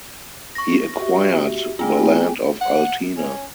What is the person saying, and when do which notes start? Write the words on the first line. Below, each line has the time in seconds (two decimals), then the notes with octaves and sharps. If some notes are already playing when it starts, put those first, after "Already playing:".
He acquired the Land of Altena.
0.55 C#6 A#6
0.98 F#4 G4 E5
1.79 A3 C4 F4 G#4 G5 G#5
2.61 F#5
3.17 C#4